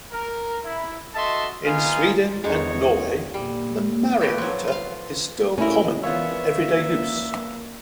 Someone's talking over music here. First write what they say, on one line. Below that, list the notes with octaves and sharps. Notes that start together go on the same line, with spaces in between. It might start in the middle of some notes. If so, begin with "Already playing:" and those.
In Sweden and Norway, the "myriametre" is still common in everyday use.
A#4
E4
F#4 A4 D#5 E5 A5 C6
A#3 B3 D#4 F4 F5 G#5
E2 D3 G#3 D#4 C#5
A#2 G3
A3 G4 B4
F3 F#3
F4 F5
A#2 A3 C#4 E4 A#4
E3 B3 F4 A#4 C#5 D5 E5 F5
A#3